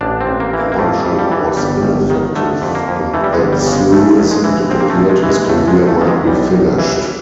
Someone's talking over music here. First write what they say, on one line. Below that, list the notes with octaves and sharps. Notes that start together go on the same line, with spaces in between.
Reuschel was ineffective in that Series, and it appeared his career might be finished.
A1 D4
C4
A1
A#3
E3
A#3
A#3
F2 A3
F2
G3
E3
G1 G3
G1
D#3
D3 A3
F2
A#3
F2
E3 A3
G3
G#3
G1
G3
C#3
G#3
A#1 A3
A#1
G#3
E3
A#1 C4
A#3
A3
A#1
G#3
E3
G#3
C#2 A3
G#3
C#2
A3
D#3
G#3
B1 G3
B1
E3